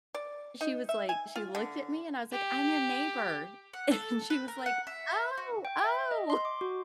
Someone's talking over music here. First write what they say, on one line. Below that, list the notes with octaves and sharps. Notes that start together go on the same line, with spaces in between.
she was like she looked at me, and I was like, "I'm your neighbor," and she was like, "Oh! Oh!"
D5
D#4
E5
G#5
F4
D3
G4
F#5
A4
B4
A#4
F#5
E5
F#4
G5
E5
D#5
C6
D6
F#4